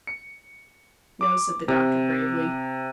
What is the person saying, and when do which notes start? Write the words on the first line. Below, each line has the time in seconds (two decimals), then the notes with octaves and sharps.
"No," said the doctor gravely.
0.07 C#7
1.21 D6
1.68 C3